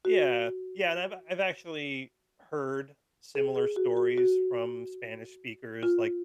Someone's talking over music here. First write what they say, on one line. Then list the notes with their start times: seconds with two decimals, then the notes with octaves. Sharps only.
Yeah. Yeah, and I've I've actually heard similar stories from Spanish speakers, like,
0.05 F#4
3.35 G#4
3.56 G#4
3.76 F#4
3.97 F#4
4.18 F#4
5.83 F4